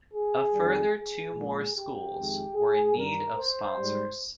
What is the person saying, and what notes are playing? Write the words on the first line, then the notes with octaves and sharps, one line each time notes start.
A further two more schools were in need of sponsors.
G#4
F2 D#3 G3
G#4
A#2 F3 G#3
G4
F2 D#3 G#3
G#4
G2 D#3 G3 A#4
C5
G#2 G3